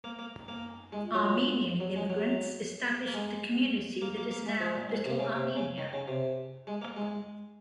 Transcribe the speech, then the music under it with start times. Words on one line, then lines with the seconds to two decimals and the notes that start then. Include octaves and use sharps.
Armenian immigrants established the community that is now Little Armenia.
0.04 A#3
0.19 A#3
0.48 A#3
0.92 G#3
1.14 F#3
1.80 F#3
1.96 G#3
2.10 F#3
3.07 A#3
3.14 G#3
4.02 A#3
4.17 A#3
4.31 A#3
4.46 G#3
4.60 F3
4.75 A#2
4.90 G#2
5.05 C3
5.19 C#3
5.35 C3
5.56 C#3
5.78 D#3
5.93 C#3
6.08 C3
6.67 G#3
6.82 A#3
6.97 G#3